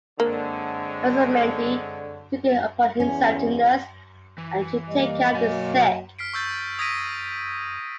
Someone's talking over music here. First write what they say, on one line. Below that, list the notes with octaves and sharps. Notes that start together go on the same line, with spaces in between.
Arizmendi, took it upon himself to nurse and to take care of the sick.
D3 G#3 A#3 C4 C#5
E2 C#4
E3
G3 A#3 D#5
B2 F#3 G#5
F6 B6 C7 D7
C#6 E6 G6 A6
D#6 G#6 A#6 B6 D7 D#7